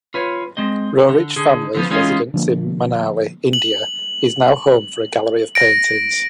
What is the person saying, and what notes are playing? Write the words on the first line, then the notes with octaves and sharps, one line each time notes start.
Roerich family's residence in Manali, India, is now home for a gallery of paintings.
F4 B4 C#5
G#3 C4 D#5
D3
D3 G#4
D3 F3 B3
E3 G#3 C#4 D#4 F4
D3 F3 A#3
F#7
A#6 D7